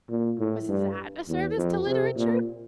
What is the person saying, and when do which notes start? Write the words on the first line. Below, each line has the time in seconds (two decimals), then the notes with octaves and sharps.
Was that a service to literature?
0.10 A#2
0.39 A2
0.69 G2
1.28 E2
1.57 F2
1.87 C3
2.17 A#2